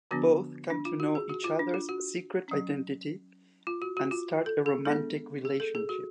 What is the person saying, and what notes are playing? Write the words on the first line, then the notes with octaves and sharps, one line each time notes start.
Both come to know each other's secret identity and start a romantic relationship.
D3 F3 B3 D4 F#4
D4
F4
F#4
G#4
F#4
F4
D4
F4
F#4
F#3 C#4
F4
F#4
F#4
F4
A4
G#4
G#3 B3 D4 A4
G#4
A4
G#4
F#4